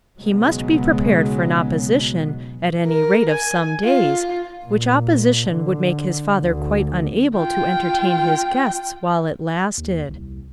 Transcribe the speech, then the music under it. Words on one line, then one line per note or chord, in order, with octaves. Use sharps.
He must be prepared for an opposition, at any rate of some days, which opposition would make his father quite unable to entertain his guests while it lasted.
B1 C#3 F#3 G#3 B3
A#4
G#5
F4
A#2
D3
D2
F4 G5
D#2
C2